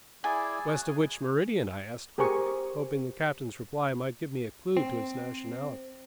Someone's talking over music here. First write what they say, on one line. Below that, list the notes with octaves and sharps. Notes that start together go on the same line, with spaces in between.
"West of which meridian?" I asked quickly, hoping the captain's reply might give me a clue to his nationality.
E4 G#4 D5 G#5
C#4 F#4
G#4 G#5
G4 G#4 A#4 C5 G#5 C#6
C4